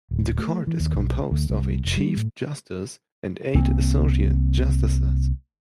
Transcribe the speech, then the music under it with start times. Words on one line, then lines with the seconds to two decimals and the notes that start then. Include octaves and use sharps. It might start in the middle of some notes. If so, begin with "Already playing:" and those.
The Court is composed of a Chief Justice and eight Associate Justices.
0.11 D1
0.38 A3
0.67 E3
0.80 D#2
0.94 B1
1.31 D2
1.50 C2
1.85 F1
1.97 G3
2.17 A2
3.55 C2 A#3 C4